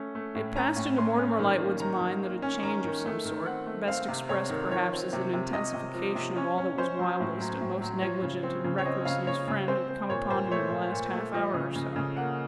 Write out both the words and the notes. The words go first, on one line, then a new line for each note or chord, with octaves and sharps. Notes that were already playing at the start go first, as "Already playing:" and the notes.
It passed into Mortimer Lightwood's mind that a change of some sort, best expressed perhaps as an intensification of all that was wildest and most negligent and reckless in his friend, had come upon him in the last half-hour or so.
Already playing: A3 C#4
A3
A2
C#4 A#5
A2
A2 C6
C#4
D#3
A#3
D#3 A#5
D#3
A#3
C#4
D#3 A#5
D#3
A3
D#3
C4 F#5
A3
C4 F5
C3
C3 C#5
D#3
F3 C#5
C4
C3
C3
C3 D#5
C3
F3
C3
C#4 C#5
C#4
C#4 C5
F#3
A2
F#3
A2
F#3
F3 C#5
C#3
C4
C#3
C#5
C4 D#5
C#3 F5
C#3 C#5
C#3
C4 C5
C4
A#2 C#5
A#2 C5
A3 C#5
A#2
A#2
A3
F3 D#5
C#3
C#3
C#3
A#3 F#5